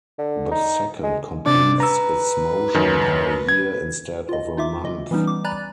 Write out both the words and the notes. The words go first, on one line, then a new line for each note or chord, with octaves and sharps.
The second completes its motion in a year instead of a month.
D3
D#4
G#3
C3 D4 D5
B4 A#5 E6
F#2 D#3
G#6
F4 D#5
D#4 F4 E5 D6
D#5
E3 G3 B3 C#4 D#4
D6
D5 G#5 A#5 B5 F#6 A6